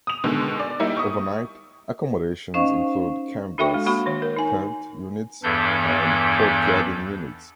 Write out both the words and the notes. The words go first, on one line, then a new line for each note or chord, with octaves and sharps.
Overnight accommodations include canvas tent units and pod cabin units.
D#6 F7
B2 D3 D#3 G#3
D5
G3 A#3 D#4 E4
C#6 D#6
C#4 D#4 C5 D#5 F5 C#6
D4 F#4 A4 E5 G5 C#6
G#3
A#3 F#4 F#5 B5 C#6
D#3 C#5
A#4
D#4 G#5
E2 G2 E3 D4 A4 G6